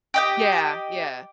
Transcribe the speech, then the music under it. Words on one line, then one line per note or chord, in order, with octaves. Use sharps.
Yeah, yeah.
G4 D#5 G5